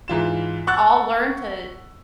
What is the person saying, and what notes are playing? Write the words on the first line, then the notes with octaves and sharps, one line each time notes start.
all learn to,
G#2 E3 F4 E7
F#5 C#6 E6 F#6 A6